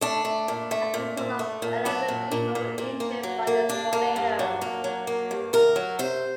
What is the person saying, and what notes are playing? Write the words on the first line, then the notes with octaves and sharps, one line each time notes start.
A total of eleven people were injured by this tornado.
A3 D4
A3
A#2
A3
A#2
A#2
A3
A#2
F#3 D4
A#2
A#2
A#2
A#2
A#3
F#3
A#3
G2 D4
A#3
G2
F#3
A#3
F#3
A#3
G2
D2 A#4
F#3
C3 C5